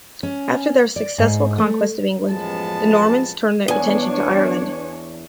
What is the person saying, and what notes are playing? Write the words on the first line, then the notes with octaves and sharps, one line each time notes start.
After their successful conquest of England, the Normans turned their attention to Ireland.
C#4
D5
G#2
A3
A1 F#2 F3 G#3 B3 A5
E2 B3 D4 C#5 G#5